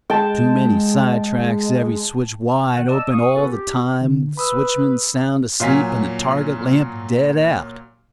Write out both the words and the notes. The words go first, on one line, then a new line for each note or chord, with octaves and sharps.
Too many side tracks; every switch wide open all the time, switchman sound asleep and the target-lamp dead out.
G#3 G5 A5
D#3 F#5
D5 D#5 A5 E6
A2 F5 C#6 D#6
B3 C#4 F4 F#4 A4 B4
G4
D3
B4 B5 D#6 E6
A#2 F#3 F5 G#5 B6